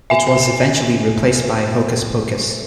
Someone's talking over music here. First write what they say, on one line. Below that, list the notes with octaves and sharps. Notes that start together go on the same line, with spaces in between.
It was eventually replaced by "Hokus Pokus".
E5 G#5